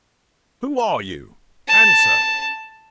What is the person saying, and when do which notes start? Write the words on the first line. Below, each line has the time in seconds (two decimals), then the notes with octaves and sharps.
Who are you? Answer!
1.68 A5